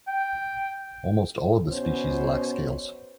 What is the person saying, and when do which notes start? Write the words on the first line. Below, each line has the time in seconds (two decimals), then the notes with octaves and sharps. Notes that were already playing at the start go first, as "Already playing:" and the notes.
Almost all of the species lack scales.
0.07 G5
1.67 B2 B3 C#4 C5 C#5